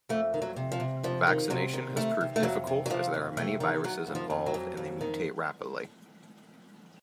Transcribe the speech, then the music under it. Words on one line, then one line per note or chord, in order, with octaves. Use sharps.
Vaccination has proved difficult as there are many viruses involved and they mutate rapidly.
F2 A3
D#3
F#3
C3
F3
C3
F2 F3
D#3
C3 F#3
D#3
D#3 A3
C3
A3
F2 F#3
C3
F#3
F2 F3
F2
C3 A3
D#3
D#3 F#3
F2
F3
F2
F#3
F2
F2
D#3